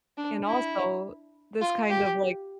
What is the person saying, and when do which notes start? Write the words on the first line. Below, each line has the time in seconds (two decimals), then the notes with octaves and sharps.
And also, this kind of, like
0.17 D4
0.46 E4
1.61 F4
1.90 G4